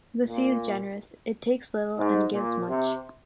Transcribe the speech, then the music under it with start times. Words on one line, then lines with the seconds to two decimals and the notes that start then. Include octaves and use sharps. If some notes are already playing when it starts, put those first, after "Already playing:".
The sea is generous - it takes little and gives much.
0.24 A#2
1.97 G#2
2.31 A#2
2.67 C3